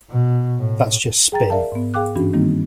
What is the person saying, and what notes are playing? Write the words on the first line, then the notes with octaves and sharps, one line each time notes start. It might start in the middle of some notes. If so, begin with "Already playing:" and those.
That's just spin.
B2
A2
G#4 G5 A#5 A6
A#4 D5 E5 F5 A5
G#2 B3
G#4 F5 G5 D6 F#6
G2 E3 C#4 D4 F#4
D#3 G3 A#3 C4 D#4